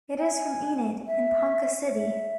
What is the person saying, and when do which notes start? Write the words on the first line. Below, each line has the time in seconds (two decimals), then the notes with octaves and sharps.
It is from Enid and Ponca City.
0.19 G#5
1.07 E5
1.94 E5